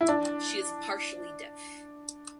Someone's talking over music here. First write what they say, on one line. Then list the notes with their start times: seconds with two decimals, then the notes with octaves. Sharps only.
She is partially deaf.
0.01 E4
0.09 D4